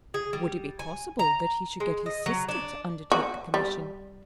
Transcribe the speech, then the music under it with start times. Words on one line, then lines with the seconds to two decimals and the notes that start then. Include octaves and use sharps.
Would it be possible that he should get his sister to undertake the commission?
0.14 G#4
0.33 G3
0.79 G#5
1.19 A#5
1.80 G#3
2.06 D#5
2.26 F#3
2.49 D4
3.12 F#4
3.54 G3